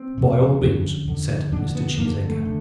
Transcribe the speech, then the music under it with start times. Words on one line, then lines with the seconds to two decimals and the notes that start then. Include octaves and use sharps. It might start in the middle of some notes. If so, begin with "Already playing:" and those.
"By all means," said Mr. Cheesacre.
Already playing: C4
0.18 F2 C3
0.63 F2 D3 C#4
1.08 F2 D3
1.52 F2 D3 D4
1.75 B3
1.97 F2 D3 A#3
2.27 A3
2.45 D3